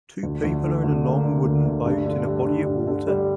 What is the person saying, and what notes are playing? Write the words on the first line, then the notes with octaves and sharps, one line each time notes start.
Two people are in a long wooden boat in a body of water.
D2
D2
D3
D2
A#3
D3
D2
D2
G2
D3
G3
D3
G2
D3
G3